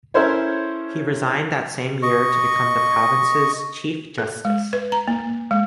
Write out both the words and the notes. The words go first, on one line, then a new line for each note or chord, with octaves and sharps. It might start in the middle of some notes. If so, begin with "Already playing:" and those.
He resigned that same year to become the province's Chief Justice.
C#4 E4 A4 A#4 C5 C#5
D#5 C#6
A4
G#3
B4
A#5
A#3
G#3